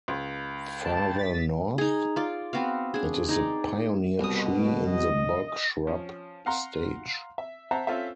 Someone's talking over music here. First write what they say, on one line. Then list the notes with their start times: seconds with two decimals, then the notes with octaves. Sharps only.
Farther north, it is the pioneer tree in the bog shrub stage.
0.08 C#2
0.85 G5 A5
1.19 A6 B6
1.78 D#4 G#4
2.16 F4 D5
2.53 B3 C4 F#4 F5
2.94 D4 G#4
3.29 D#4 G#4 D5
4.19 C2 B2 D#6
4.89 D#5
5.87 F3 C#4
6.46 F5 F#5 A#5 C6
7.38 E5
7.71 C5 E5 F#5 A5 A#5
7.87 C4 C#4 F4 A4 C5 E5